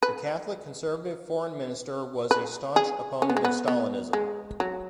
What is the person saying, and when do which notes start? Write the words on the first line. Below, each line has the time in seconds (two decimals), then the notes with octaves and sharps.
The Catholic-conservative foreign minister was a staunch opponent of Stalinism.
0.03 B4
2.31 B4
2.76 G#4
3.22 C#4
3.29 B3
3.37 G#3
3.45 B3
3.68 B3
4.13 G#3
4.60 F#3